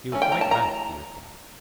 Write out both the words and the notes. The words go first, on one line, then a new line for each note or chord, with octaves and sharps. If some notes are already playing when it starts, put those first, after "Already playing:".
You are quite right, he replied.
E3 A3 C#4
G5
A#5
A5
A#5